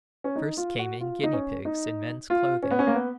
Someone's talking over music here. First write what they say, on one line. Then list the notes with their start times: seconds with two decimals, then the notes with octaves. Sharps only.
First came in guinea pigs in men's clothing.
0.24 C#4
0.36 D#4
0.57 F4
0.79 F#4
1.01 F4
1.23 D#4
1.33 C#4
1.65 D#4
2.30 F4
2.63 C#4
2.71 B3
2.79 C#4
2.87 A#3
2.95 B3